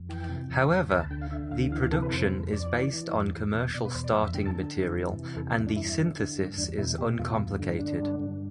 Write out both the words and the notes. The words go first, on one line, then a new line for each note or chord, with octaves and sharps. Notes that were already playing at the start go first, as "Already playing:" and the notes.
However, the production is based on commercial starting material and the synthesis is uncomplicated.
Already playing: F2
E3 G5
C3
E2
E2
D2 B5
A5
D3 G5
F5
D3 E5
D2 F5
E3 F5
F5
C3 A4
B4
F2 C5
F2
F2 D5
E3
E3
F2
E2
B2
B2 D5
B4
E2 C5
D5
F2 E5
E5
D3 G5
A5
D3
F2
E3
C3
E2 A4
E2 E4
D4
G2 E4
D3
D3
G2
E2 D4
B2 E4
B2 G4
E2 F4
G2
D3
D3 D4
G2
G2